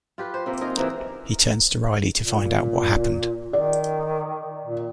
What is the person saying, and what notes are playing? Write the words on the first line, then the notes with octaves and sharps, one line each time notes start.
He turns to Riley to find out what happened.
F4 G4 B4
C5
C3 A#3
D#4 F4 G#4 A#4
C3 E3 A#3
A#2
D#3 D5
A#2